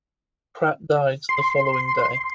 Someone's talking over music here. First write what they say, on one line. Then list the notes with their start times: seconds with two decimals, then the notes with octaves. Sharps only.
Pratt died the following day.
1.29 C6